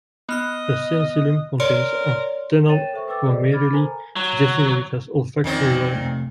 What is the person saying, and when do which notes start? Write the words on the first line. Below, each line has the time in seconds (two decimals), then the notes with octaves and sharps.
The sensillum contains antennal glomeruli, suggesting that it has an olfactory role.
0.29 B3 D#5 F6 F#6
1.60 A#4 C#5 D5 C6
2.68 A#4 C#5 G5 A6 D#7 E7
2.93 A4 C5 E5 C#6
3.07 A4 B4 G5 D6 E6 A6
3.24 G#4 A4 B4 C5 D5 D#5
3.52 B5 D6 F6 G#6 A6
3.73 A4 A#4 C5 G#5 A#5
4.16 F#3
5.44 F2 A#2 D#3 C4
5.95 F2 C3 A3